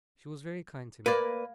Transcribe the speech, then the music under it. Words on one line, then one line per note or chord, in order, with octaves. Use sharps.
She was very kind to me.
A#3 B4 D5